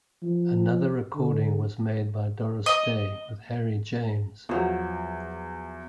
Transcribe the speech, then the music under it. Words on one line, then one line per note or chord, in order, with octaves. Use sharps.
Another recording was made by Doris Day with Harry James.
F3
D3
D#5
E2 F3 F#3